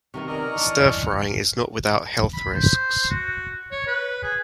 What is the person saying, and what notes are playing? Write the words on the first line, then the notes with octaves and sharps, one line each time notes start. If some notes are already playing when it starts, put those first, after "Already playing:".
Stir frying is not without health risks.
C3 D#3 B3 C#6 F6
C#4 A#4 D5 D#5
E3 D4
B5
C5
F#4
C#5
B4
G#4